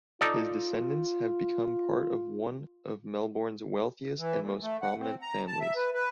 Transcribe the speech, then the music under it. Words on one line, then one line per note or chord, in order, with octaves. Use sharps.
His descendants have become part of one of Melbourne's wealthiest and most prominent families.
D#4 F4 A4 D5
E3
A#2
A3
F#5
C4
A#5
A5
E5
B4
B4